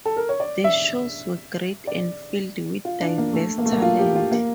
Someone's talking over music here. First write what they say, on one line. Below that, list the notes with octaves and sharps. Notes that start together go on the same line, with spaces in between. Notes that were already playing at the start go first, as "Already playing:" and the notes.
The shows were great and filled with diverse talent.
A4
A#4
C#5
D5
E5
D5
F4
D4
A#3
A3
A#3
A3
A#3
F4
G4
F4
A#3